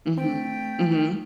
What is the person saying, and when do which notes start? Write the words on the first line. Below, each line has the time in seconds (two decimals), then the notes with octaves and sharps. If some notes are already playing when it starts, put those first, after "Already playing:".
Mhm. Mhm.
0.17 A3 C4 G5